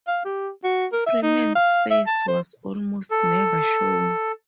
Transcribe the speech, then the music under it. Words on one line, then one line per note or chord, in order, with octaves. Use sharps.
Freeman's face was almost never shown.
F5
G4
F#4
A#4
E5
D#4
F5
E5
A5
C5
A4